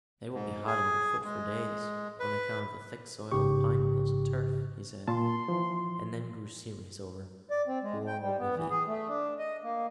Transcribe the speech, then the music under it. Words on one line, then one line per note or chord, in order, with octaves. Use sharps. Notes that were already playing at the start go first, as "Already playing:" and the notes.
"They will be hot under foot for days, on account of the thick soil of pine needles and turf," he said, and then grew serious over "poor Ogilvy."
G#2
G#4
G#3
B4
A1 G#2 C#3 G4 C#6
A#2 A5 C6
E3 F3
D5
C4
G#3
G5
G3
B3
E3
G#4
A3
D4
D#5
A#3